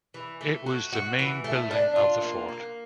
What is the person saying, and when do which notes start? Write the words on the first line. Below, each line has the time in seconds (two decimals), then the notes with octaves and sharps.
It was the main building of the fort.
0.14 E3
0.41 A3
0.66 F#4
0.93 F#4
1.19 E3
1.44 A3
1.71 D4
1.96 F4
2.22 A#3
2.49 A#3